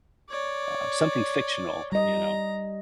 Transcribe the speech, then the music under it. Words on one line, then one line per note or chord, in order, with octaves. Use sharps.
uh, something fictional, you know.
C#5 D5
G3 D#5 A#5